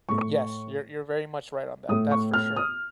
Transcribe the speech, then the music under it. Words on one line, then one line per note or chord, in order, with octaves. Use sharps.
Yes, you're you're very much right on that, that's for sure,
A2 A3 C#6
A2 A3 D#6
C#6
F6
D#6